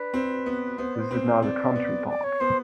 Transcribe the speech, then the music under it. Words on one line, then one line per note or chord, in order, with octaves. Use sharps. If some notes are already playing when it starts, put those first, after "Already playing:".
This is now the Country Park.
Already playing: D4 B4
C4
B3
B3 C5
D5
C5
C4 B4
C5
C4 D5
B3
D5
C#5
B3 C5